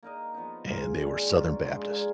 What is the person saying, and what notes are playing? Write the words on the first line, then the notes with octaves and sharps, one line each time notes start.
and they were Southern Baptists.
A#3 D#4 A#4 D#5
F3 B3 D#4
A#3 F4 G#4
D#3 G#3 D4
B2 F#3 A#3 F4
G#2 F3 G#3 D4
A#3 D4 F4 G#4